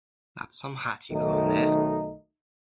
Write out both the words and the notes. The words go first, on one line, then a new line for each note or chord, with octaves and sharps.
That's some hat you got on there.
B1 D#3 A3 D#4